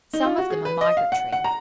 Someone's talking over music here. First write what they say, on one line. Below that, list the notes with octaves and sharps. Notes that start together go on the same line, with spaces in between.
Some of them are migratory.
D#4
F4
F#4
G#4
B4
D#5
F5
F#5
F#5
A#5